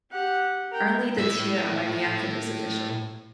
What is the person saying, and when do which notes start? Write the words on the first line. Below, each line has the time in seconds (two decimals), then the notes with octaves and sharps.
Only the "tear ammoniacum" is official.
0.11 G4 F#5
0.71 A#4 G5
1.18 A2 E5